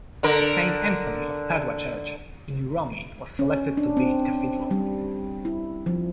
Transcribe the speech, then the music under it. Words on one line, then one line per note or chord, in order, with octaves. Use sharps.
The Saint Anthony of Padua church in Uromi was selected to be its cathedral.
D3 A#4
C#4
D4
C4
G3
E4
F3